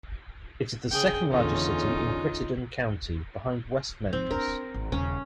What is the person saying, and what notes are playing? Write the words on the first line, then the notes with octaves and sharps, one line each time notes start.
It is the second largest city in Crittenden County, behind West Memphis.
C#3 G#4 G5
E2 D3 C#4 D#4 F4
G#2 F3 C4
D4 A#4
G#1
D#1 C#3 C#4